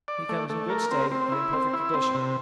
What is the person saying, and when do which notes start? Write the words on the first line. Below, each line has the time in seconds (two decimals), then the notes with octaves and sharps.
He comes in good state, and in perfect condition.
0.08 D5
0.29 A3
0.50 A3
0.70 A#4
0.91 C4
1.11 C4
1.32 E4
1.53 C4
1.73 E4
1.94 C4
2.14 C3